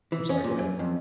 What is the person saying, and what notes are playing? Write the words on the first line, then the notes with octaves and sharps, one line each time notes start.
I'm sorry, go ahead.
E3
C#4
A#2
F#2
F2